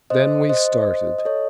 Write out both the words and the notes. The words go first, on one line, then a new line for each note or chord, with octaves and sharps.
Then we started.
C5 D#5
C5 D#5
D#5
A4 C#5